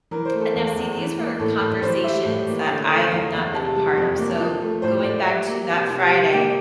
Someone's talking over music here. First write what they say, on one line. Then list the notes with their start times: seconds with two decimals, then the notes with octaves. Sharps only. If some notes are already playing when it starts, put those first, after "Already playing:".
And now see these were conversations that I have not been a part of. So, going back to that Friday,
0.11 E3 A#4
0.25 C5
0.33 A3
0.40 A4
0.55 E2
0.76 E2
0.98 E3
1.19 A#3
1.40 A2 A4
1.61 A2
1.82 E3 C5
2.04 G3 E5
2.25 A2
2.47 A#3
2.68 D3
2.90 A3
3.11 E2 F5
3.33 E2
3.54 C3 A5
3.76 G3
3.98 F2
4.18 A#3
4.40 F3
4.61 A3
4.82 A2 C5
5.04 A2 D5
5.25 G3 E5
5.47 A#3
5.69 C3
5.90 C3
6.11 G3
6.33 A#3 G5